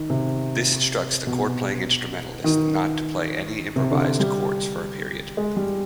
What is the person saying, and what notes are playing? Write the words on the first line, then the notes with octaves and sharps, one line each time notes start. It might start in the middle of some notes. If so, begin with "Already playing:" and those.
This instructs the chord-playing instrumentalist not to play any improvised chords for a period.
Already playing: D#3
C3
B2
D#3
C3
D3
G3
G#3
G3